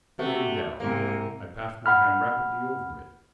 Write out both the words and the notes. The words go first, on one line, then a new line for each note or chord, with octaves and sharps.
Bending down, I passed my hands rapidly over it.
C3 A3 F#4
C2 G#2 C3 A#3
F#5 B5 F6